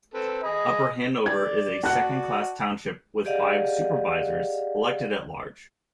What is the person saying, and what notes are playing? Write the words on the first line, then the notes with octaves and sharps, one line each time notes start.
Upper Hanover is a second-class township with five supervisors elected at-large.
C4 A4 B4
G#4 D#5 G#5 B5
D5 G#6
F#4 D5 F#5 A5 F#6 C#7
G4 G#4 D5 D#5 F5 F#5